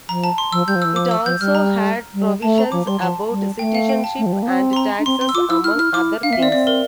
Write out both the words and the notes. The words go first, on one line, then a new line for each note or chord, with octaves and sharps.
It also had provisions about citizenship and taxes among other things.
F3 A#5
A5
C6
F3 E6
G3 G6
F3
E3 E6
F3 D6
E6
F3 G6
G3 F6
A#5
G3
A3 A5
A#5
F3 D6
G3 C6
F3 A5
G3
A3 G5
F5
G5
A5
A3
F3
G3
A#3
C4
C6
A#5
D4
C4 C6
C4 C6
E6
F4 D6
E4 E6
E4 F6
D4
E4 F6
E4 D6
D4 F5
A#3 E5
C4 D5
C4 D5
A#4